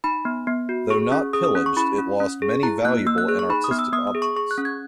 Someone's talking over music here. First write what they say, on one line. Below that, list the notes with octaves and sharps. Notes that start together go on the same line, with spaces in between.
Though not pillaged, it lost many valuable and artistic objects.
D#4 B5
B3
B3
F#4
G#4 C#6
C#4
G#4 D#6
D#6
C#4
C#6
E4 B5
C#4
C#4
G#4
E4 A#5
A#3 F#6
A#3 E6
F#6
G#4 F#6
C#6
D#4 B5
D#6
B3
E6
B3 D#6
D#6
G#4
C#6
G#4 C#6
F#6
C#4
G#6